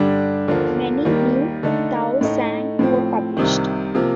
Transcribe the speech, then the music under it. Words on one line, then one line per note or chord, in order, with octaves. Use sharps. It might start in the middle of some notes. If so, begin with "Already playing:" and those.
Many new Daozang were published.
Already playing: G2 D3 G3 D4
D#2 D3 F3 A#3
D#2 D#3 G3 A#3
D3 A3 D#4
A2 A3 D#4
A2 F3 C4
C2 C3 D#3
C3 F3 A#3